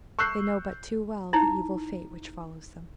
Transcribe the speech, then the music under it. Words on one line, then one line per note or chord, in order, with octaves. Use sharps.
They know but too well the evil fate which follows them.
C#6 E6 F#6 G6 C7
D#4 E4 A#5